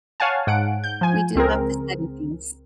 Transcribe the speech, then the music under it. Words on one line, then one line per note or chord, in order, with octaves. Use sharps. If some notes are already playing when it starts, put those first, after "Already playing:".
we do love to study things.
C#5 F5 F#5 G#5 A5
G#2 F#5 D7
G6
F3 G#5
C#2 C4 G#4 A#4